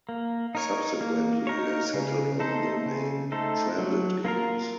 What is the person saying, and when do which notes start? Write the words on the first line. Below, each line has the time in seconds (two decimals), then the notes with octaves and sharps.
Subsequently, they settled on the name "Transit Kings".
0.09 A#3
0.55 D#4 A#4 C#5
1.01 A#3
1.47 D#4 A#4 C#5
1.94 C#3
2.39 A3 D#4 A4 C5
2.86 C#3
3.32 A3 D#4 A4 C5
3.78 F#3
4.25 A#3 F4 A#4